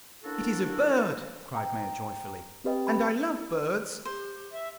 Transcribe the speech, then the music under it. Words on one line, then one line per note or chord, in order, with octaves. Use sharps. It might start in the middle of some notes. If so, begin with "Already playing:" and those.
'It is a bird,' cried Maia joyfully, 'and I love birds!
A#3 C#4 D4 E4 F#4 A4
G5 A#5
C4 G4 B4 D#5 G5
B5
G4 C5
E5